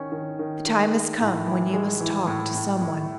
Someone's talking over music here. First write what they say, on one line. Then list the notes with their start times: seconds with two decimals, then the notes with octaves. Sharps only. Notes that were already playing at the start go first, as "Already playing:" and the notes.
"The time has come when you must talk to some one."
Already playing: D#3 C#4
0.12 D#3
0.39 D#3
0.67 D#3
0.93 G#3
1.20 A2
1.46 E3
1.73 G#3
2.00 E3
2.27 A2
2.55 A2
2.81 A2